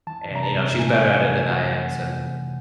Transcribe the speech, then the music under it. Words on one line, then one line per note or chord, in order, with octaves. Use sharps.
and, you know, she's better at it than I am, so
E3 A5
C3 A#5
A5
C3
A3 G#5
E3
C3
E3 F#5
C3
E3
C3